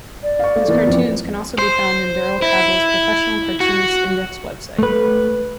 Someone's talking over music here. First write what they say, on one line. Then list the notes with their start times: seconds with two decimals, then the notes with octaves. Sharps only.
His cartoons can also be found in Daryl Cagle's Professional Cartoonists Index website.
0.23 D5
0.39 F5 C#6
0.56 A3
0.68 E3 A#3 B3
0.87 F2 C4
1.59 C5
2.42 E4
3.60 F#4
4.79 A3 B4